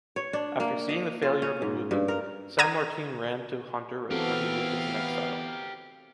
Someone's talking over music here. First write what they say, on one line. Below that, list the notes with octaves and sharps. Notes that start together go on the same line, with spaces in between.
After seeing the failure of the movement, San Martín ran to Honduras where he lived as an exile.
C#5
D4
A#3
D#5
F4
C#4
G#2
G2
A#4
A#5 D#6 G#6 D#7
E3 B3 C4 F#4 G4 A4 A#4 F5